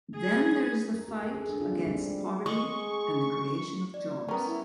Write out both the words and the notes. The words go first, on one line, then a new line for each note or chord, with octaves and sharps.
Then there is the fight against poverty and the creation of jobs.
G#4
A#4
G4
A4
G#4
D4
F4
C4
G3
G#3
G#3 G#4 C#6
D5
G3 B3 C#4 A#4 C#6
E4